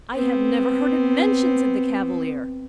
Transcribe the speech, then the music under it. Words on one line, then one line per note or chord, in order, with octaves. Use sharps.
"I have never heard it mentioned," said the Cavalier.
B3 C4